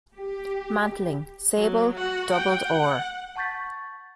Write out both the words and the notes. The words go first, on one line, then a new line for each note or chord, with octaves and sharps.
Mantling: Sable, doubled Or.
G4
F#3
F#4 F#5
F#5 G5
F#5
F#5 A5 C#6 G6 A6 B6